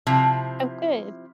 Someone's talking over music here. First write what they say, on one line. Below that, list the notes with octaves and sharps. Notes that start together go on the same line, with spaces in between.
Oh, good.
C3 F3 E4